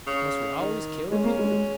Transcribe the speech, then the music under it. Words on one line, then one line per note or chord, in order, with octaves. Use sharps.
"Must we always kill the people?"
C#3
D#3
G#3 C#4
A#3
G#3
G#3